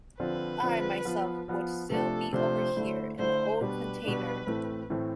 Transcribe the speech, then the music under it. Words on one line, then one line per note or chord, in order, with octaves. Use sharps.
I myself would still be over here in the old container.
D3 F3 C4 F4 B4
D3 F3 C4 F4
F3 B3 F4
F3 B3 F4
C3 F3 A3 D4 F4 A4
C3 F3 A3 D4 F4 C5
D3 A3 E4
D3 A3 E4 C5
B2 G3 D4 B4
B2 G3 D4
A2 E3 A3 C4
A2 E3 A3 C4